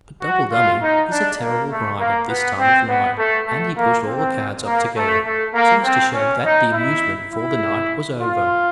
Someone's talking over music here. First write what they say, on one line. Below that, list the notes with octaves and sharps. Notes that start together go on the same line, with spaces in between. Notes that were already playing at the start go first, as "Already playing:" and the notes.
"But double dummy is a terrible grind at this time of night." And he pushed all the cards up together, so as to show that the amusement for the night was over.
F#4
F4
D#4
D4
A#3
A3
A#3
B3
C4
B3
A3
A3
A#3
C4
A#3
A3
A3
A#3
C4
C#4
D#4
E4
E4
F4